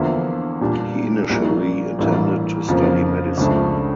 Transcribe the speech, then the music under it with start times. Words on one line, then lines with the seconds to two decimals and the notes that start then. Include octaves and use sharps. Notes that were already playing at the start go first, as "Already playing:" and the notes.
He initially intended to study medicine.
Already playing: E2 D3 F3 A#3 E4
0.61 A#2 G3 D4
1.30 A#1 A#2 G3 A#3 E4
1.99 A1 G2 E3 A#3 D4
2.68 F2 C#3 F3 A#3
3.37 C#2 C#3 F3 A3 D4